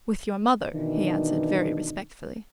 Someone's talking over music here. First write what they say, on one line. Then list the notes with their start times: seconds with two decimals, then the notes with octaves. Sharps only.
"With your mother," he answered very respectfully.
0.74 B2 D#3 E3 D4 D#4